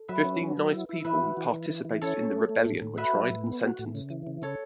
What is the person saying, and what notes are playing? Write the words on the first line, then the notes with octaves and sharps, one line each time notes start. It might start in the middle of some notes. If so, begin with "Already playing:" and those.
Fifteen Nice people who participated in the rebellion were tried and sentenced.
Already playing: A4
F#3 B4 E5
C#4
F#3
F#3
E4
E4
E3 B4 E5
F#4
E3
E3
E3
E3
C#4 A4 C#5
C#4
A3
A3
A2
A2
F#4 B4 E5
F#3
A2
B3
F#4
A2
C#3
E3
C#3
C#3 A4 C#5